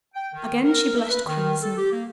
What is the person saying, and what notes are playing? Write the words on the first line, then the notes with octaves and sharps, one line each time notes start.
Again she blushed crimson.
G5
D#3
A#4
E5
B4
D#3
A4
G4
A#3